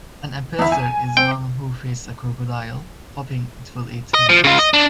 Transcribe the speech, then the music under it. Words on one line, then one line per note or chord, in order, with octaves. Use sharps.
An appeaser is one who feeds a crocodile – hoping it will eat him last.
E2 E4
G#5
C4 G5
D#5
F3
C#3 F4
D#5
D4